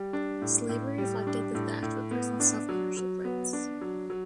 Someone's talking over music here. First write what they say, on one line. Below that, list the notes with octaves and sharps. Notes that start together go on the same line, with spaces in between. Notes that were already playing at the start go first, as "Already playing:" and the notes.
Slavery reflected the theft of a person's self-ownership rights.
Already playing: G3
D4
A2
A2
G3
D4
A2
A2
B3
D4
F#3
F#3
B3
D4
F#3
F#3